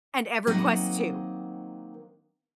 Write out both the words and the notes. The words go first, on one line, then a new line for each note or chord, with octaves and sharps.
And EverQuest II.
D#3 F#3 A#3 C4 D#5 F#5